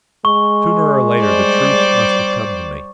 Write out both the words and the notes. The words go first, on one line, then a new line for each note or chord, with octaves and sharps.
Sooner or later the truth must have come to me.
G#3 C#6
G3 C5 D5